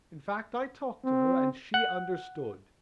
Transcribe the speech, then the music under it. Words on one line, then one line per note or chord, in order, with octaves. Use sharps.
In fact, I talked to her and she understood.
C4
F#5